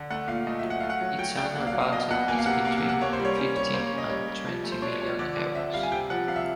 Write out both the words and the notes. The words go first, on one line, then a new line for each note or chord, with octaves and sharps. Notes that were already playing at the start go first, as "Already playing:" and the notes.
Its annual budget is between fifteen and twenty million euros.
Already playing: D3
A3 F#5
A#2 F5
A3 D#5
E5
F#3
F#5
A3 F5
F#5
F#3
F#3 G5
D4 G5
A#3 F#5
F5
F#3
F5
B2 D#5
B2 F#5
A#3 G#5
F5
C3 F#5
A#3 F5
F#5
C3
F#5
A#3 C#5
C5
G3
C#5
C#4
G3 C#5
A#3 C5
C#5
C#4
D#5
G3 C#5
G3
F3
A3
C5
D4 C#5
F3 C#5
D3 D5
D3
C4 E5
G3 F5
G#5
C3 G5
F3 F#5
C3 F5
E5